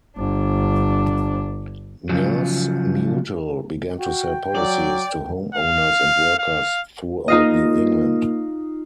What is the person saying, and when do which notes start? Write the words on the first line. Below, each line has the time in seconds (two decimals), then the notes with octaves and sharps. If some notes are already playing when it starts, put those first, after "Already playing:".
MassMutual began to sell policies to homeowners and workers throughout New England.
0.17 G1 D4
2.09 C#3 F3 F#3
3.99 F#4 G5
4.55 F#3 D5
5.55 F5
6.39 F5
7.28 A#3 D#4 F4 D#5